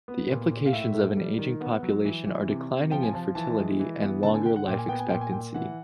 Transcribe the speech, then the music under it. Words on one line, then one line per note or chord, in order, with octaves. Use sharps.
The implications of an aging population are declining in fertility and longer life expectancy.
B3
A#2
A#2
F5
A2 E5
A3
G3
D#3
B3 F#5
F#3
E3
E3
C3
C3
F3 G5
G#5
F3 A5
E3 A5
G#3
E3
B3
D3 A5
G#5
D3 G5
F#5
A#2 G5
G#5
B3 G5
G#5
A#2 G5
G#5
A#2 G5
E3 F#5